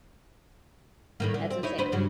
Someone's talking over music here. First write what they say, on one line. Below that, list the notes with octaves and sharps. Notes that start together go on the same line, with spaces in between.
That's insane,
A2 D#3 A#3
D3
C4
D#4 E4 C#5
D2 B4 C5
G2 C#3 F#3